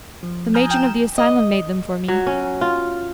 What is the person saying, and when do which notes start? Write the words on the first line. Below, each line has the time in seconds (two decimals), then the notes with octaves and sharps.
The matron of the asylum made them for me.
0.23 F3
0.54 G#5 A#5 D#6 F6 G6
0.71 G5 G6 E7
1.18 D#5
2.08 F#3
2.27 C#4
2.61 F4